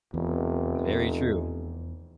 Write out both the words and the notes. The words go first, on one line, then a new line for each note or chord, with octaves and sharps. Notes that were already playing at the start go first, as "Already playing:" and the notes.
Very true,
F1 E2